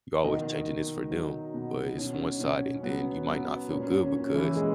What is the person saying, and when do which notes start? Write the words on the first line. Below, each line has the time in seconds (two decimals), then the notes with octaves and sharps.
you're always changing this for them, but it's one-sided, and then you might not feel good because,
0.24 B2 D#3 D#4
0.67 B2
1.10 F#3
1.54 B2
1.97 B2 C#4
2.40 B2 C#4
2.75 C#4
2.83 F#3 B3
3.26 F#3 B3
3.69 A#2 C#4
3.91 C#4
4.13 A#2 C#4
4.34 E3 E4
4.56 A#2 G#3 G#4